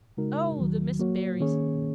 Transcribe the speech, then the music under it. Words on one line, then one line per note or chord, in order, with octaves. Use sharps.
Oh, the Miss Berrys!
C#3 G#3 D#4 F#4 A#4
D#2 D#3 F#3
F#3 A#3 F#4 C#5
D#3 A#3 C#4 G#4 C#5